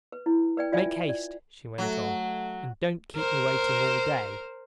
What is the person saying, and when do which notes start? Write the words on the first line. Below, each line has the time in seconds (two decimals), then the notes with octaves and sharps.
"Make haste," she went on, "and don't keep me waiting all day."
0.12 B4
0.26 E4
0.57 B4 D5 G5
0.72 F4 D5 E5 G5 G#5
1.09 D5
1.78 F#3 A3
3.16 A#4 C5